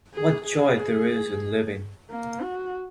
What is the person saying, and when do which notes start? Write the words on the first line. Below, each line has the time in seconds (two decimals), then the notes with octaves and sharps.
What joy there is in living.
0.14 G#4
0.46 G#4
2.10 A#3
2.42 F#4